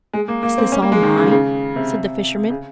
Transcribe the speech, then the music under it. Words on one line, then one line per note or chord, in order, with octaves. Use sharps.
"Is this all mine?" said the fisherman.
G#3
A#3
A#3
C4
C#4
A#3
G#3
D#3
C#3
C#3
C3
C#3